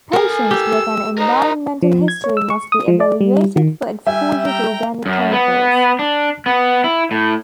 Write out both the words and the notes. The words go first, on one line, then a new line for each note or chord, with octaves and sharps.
Patients work and environmental history must be evaluated for exposure to organic chemicals.
A4 A#4 G#5
G4 E6
D#4 A#4 C5
F3
G#6
C#5
E6
C#6
D#6
F3
D5
G3
D#3
G3 E5 G#5 E6
G5 A#5
F#2
B3
D4
B3
E4
A2